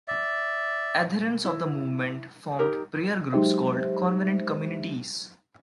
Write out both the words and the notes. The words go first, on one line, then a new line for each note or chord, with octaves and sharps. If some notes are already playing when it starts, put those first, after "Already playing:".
Adherents of the movement formed prayer groups called covenant communities.
D5 E5
E4
D#4 G4 A#4
F#3 G#3 D#4 G4 C5 E5